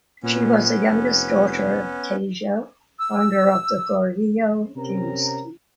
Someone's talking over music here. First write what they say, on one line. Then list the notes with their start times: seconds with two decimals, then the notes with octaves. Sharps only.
She was the youngest daughter of Taejo, founder of the Goryeo dynasty.
0.23 A#2 B3 C#4
0.89 F1
2.99 E6
4.76 C3 C4 C#4 A#4 A#5